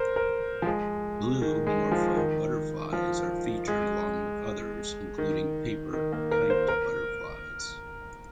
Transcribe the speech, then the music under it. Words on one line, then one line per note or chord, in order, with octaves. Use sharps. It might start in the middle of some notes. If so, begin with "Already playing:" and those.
Blue morpho butterflies are featured along with others, including paper kite butterflies.
Already playing: A#4 C5
A#4
F3
G#3
D#3
G#3
F3
D#3
F3
G#3
D#3
D#3
A#3
A#4
C5
A#4